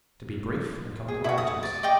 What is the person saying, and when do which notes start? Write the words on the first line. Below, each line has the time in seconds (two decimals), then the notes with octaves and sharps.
To be brief and come to my business.
1.08 G#4
1.24 E4 F#4
1.38 D#6
1.63 D5
1.83 D5 D#5 G5 D6